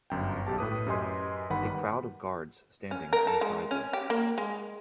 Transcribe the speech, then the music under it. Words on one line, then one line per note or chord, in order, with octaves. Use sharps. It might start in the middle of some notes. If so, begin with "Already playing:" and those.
A crowd of guards standing on a sidewalk.
G1 F#2 G5
B1 G4 A5
A2 B4 D#6
F#2 G4 B4 D#5 G#5 C6
G1 D#3 G3 B4 F#5 B5
C#4
A#4
A4
G#3
C#4
G4
A#3
G#3